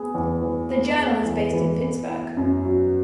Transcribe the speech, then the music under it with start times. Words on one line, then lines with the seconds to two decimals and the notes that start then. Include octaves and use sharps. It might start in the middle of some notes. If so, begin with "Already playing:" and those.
The journal is based in Pittsburgh.
Already playing: B3 G#4
0.14 E2
0.42 E3
0.70 B3
0.98 G#4
1.25 E2
1.53 E3
1.81 B3
2.09 E4
2.37 F#2
2.65 F#3